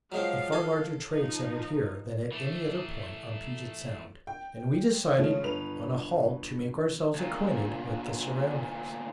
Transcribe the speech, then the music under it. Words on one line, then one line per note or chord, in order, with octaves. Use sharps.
A far larger trade centered here than at any other point on Puget Sound, and we decided on a halt to make ourselves acquainted with the surroundings.
F3 F#3 G#3 C4 F5
A4 G#5
F3 D#4
E3 A3
G5
C#3 F3 G#3 A3 C#4
G1 B4 F7
D2 A#2